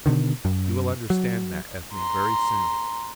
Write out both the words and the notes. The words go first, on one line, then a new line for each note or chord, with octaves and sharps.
You will understand that, Ethne, very soon.
B2 D3 D#3
F#2
F#3
A#5 C6